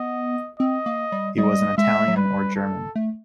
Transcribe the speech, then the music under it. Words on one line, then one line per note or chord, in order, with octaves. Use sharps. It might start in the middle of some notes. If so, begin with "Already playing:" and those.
He was an Italian or German.
Already playing: B3 D#5
C4 D#5
A#3
G3
G3 D#5
G#3 E5
F#3
G3 B4
A4
A3